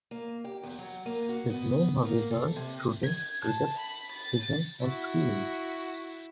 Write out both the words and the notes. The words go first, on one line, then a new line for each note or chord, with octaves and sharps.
His main hobbies are shooting, cricket, fishing, and skiing.
A#3
G4
E2
F#3
A#3
F#4
B3
A#3
A4
C3
G#6
A5
B5
A6
E4 F#4